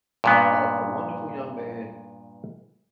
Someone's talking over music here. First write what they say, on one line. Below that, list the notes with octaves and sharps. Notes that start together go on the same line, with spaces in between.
uh, a wonderful young man,
G2 A#2 B3